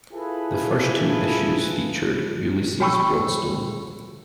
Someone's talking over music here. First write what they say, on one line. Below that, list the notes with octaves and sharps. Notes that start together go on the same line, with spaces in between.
The first two issues featured Ulysses Bloodstone.
E4 F4 G#4 A4 B4
F#4 C#5 G5 B5 C#6 E6